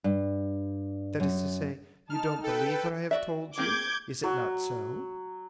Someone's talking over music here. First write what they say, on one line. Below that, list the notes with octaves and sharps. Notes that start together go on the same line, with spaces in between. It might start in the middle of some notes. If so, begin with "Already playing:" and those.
"That is to say, you don't believe what I have told you; is it not so?"
G2
F#2
D#4 A5 F6
A4 B4 G5
F#4 D5 E5
A#3 C4 G#4 D6 G6 G#6
F#3